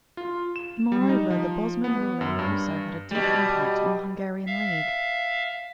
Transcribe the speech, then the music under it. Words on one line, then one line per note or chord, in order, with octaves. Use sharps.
Moreover, the Bosman ruling also had a deep impact on the Hungarian League.
F4
E7
G3
D#4
F3
B3
F#2
G2
B2 G3
E5 F5